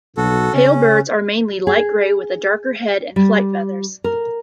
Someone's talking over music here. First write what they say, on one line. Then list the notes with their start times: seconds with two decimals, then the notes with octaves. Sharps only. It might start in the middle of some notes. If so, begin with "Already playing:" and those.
Pale birds are mainly light grey with a darker head and flight feathers.
0.17 B1 F#4 A4
0.54 C#3 C#4
1.67 G#4
3.16 G3
4.04 A#4